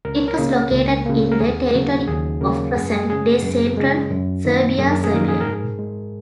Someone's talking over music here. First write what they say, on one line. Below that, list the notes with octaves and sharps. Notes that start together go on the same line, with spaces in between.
It was located in the territory of present-day Central Serbia, Serbia.
C#2 A#4
C#5
A#4
C#3 A#3
C#2
C#3 A#3
A#4
D#2 G#4
C#3 F#3 A#3 F#4
D#2 G#4
C#3 F#3 A#3 A#4
F#2 G#4
G#4
C#3 G#3 G#4
F#2
C#3 G#3
F#2
D#3 A#3
F#2 G#4
A#4
G#4
D#3 A#3 A#4
G#4
G#2 A#4
G#4
G#3